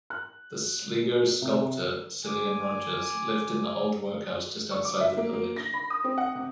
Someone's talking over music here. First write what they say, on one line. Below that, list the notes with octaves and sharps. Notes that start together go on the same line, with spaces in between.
The Sligo sculptor, Cillian Rodgers, lives in the old workhouse just outside the village.
F#6
C3
G#5 D6
C#6
D6
E5
A#3
A#3
A#6
B5
D#6
C4
F#5
C3